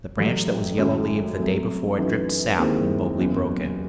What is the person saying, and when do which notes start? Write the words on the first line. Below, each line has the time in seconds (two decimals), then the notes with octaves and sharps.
The branch that was yellow-leaved the day before dripped sap when Mowgli broke it.
0.17 A1 A2 F#3
0.78 G#1 F#2 C#3 F#3 A3
1.38 C2 C3 F#3 A3
1.98 F#2 E3 A3 D#4 F#4
2.58 D#2 D#3 G#3 C4 E4
3.18 F#1 E2 C#3